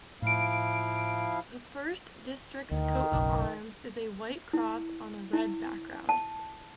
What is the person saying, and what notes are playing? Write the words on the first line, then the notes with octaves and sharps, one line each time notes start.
The first district's coat of arms is a white cross on a red background.
A2 F3 E4 F5 D7
D2 D#3
F#1 B1 F#2
E4
E4
A5